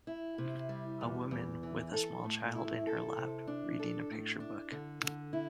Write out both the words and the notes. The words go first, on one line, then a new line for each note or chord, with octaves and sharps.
A woman with a small child in her lap reading a picture book.
E4
C3
G3
E2
E2
E3
A4
A2
E4
A4
C3
D4
A4
A2
D4
D3
D3
E4